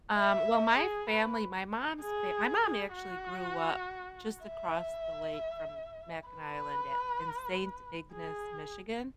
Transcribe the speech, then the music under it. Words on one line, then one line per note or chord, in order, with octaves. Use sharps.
Um, well, my family my mom's fa my mom actually grew up just across the lake from Mackinac Island at in Saint Ignace, Michigan.
E5
G#4
B4
G#4
G#4
F#4
E5
B4
G#4